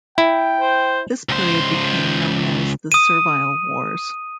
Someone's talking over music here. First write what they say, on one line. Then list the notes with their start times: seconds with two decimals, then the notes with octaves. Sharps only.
This period became known as the Servile Wars.
0.18 E4 G5
0.60 C5
1.29 C#2 C5
2.92 D#6 D#7